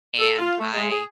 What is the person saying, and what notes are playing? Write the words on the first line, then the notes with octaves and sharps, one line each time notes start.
And I
A4
F4
A3
G#3
G#4